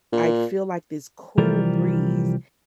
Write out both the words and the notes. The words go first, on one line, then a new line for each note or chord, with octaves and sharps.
I'd feel like this cool breeze,
A#2
C2 E3 F3 G3 A#4